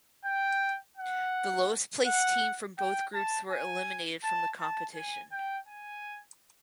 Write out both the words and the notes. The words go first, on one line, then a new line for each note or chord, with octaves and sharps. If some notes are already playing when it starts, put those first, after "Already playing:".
The lowest placed team from both groups were eliminated from the competition.
G5
F#5
F#5
G5
A5
G#5
A5
A5
G#5
G5
G#5